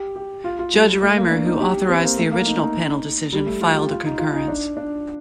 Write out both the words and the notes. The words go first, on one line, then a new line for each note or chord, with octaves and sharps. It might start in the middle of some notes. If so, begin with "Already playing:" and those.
Judge Rymer, who authored the original panel decision, filed a concurrence.
Already playing: G4
G4
F4
F4
G3
G3
A3
A#3
D4
D#4
G4
C4
A#3
A3
A#3
D#4
D#4
G3
A3
F4
G4
F4
D#4
F4
D#4
D4
D4